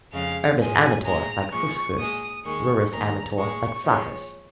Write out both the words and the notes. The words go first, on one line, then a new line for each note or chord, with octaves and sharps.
Urbis amator, like Fuscus; ruris amator, like Flaccus.
F2 C#3 G#3 F5
G#2 F3 G#3 G#5
A#2 G#3 A#5
A#2 F3 G#3 C#6
A#2 G#3 D#6
D#2 D#3 G#3 C#6
D#2 D#3 G#3 A#5
A#2 G#3 C#6
A#2 F3 G#3 C#5